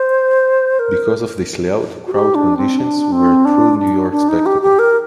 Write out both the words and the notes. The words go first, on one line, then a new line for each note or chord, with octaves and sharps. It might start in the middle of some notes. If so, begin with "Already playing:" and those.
Because of this layout, crowd conditions were a true New York spectacle.
Already playing: C5
A#4
F#4
G4
D4
C4
D4
C4
D4
D4
D4
D#4
G4
G4
A#4